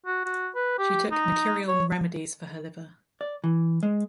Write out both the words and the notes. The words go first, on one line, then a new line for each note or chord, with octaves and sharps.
She took mercurial remedies for her liver.
F#4
F#4
B4
G4
D#4
C#5
D5
E3
G#3